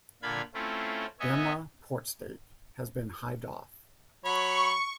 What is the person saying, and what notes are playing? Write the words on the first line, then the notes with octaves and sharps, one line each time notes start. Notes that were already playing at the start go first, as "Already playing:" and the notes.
Dhamra port stake has been hived off.
A#2 D3 F4 F5 B5 G#6
A3 C4 C#4 E4 F4
B3 C#5 D#5 E5 G#5
F#3 C#5 B5 C#6